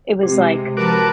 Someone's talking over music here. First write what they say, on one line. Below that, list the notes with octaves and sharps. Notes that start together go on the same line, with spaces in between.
it was like
C3 G#3 G4
F3 F#4 A#4 B4 A5 D6